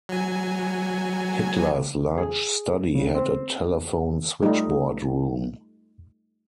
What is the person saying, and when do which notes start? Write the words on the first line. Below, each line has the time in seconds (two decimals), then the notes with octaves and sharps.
Hitler's large study had a telephone switchboard room.
0.09 F#3 G#5
2.18 G#4
2.95 C#3
3.15 C4
4.42 G3 A3 D#4 F4